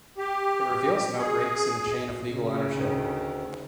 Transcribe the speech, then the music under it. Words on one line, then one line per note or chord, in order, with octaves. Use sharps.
It reveals no breaks in the chain of legal ownership.
G4
G#4
C#3
D2 D#3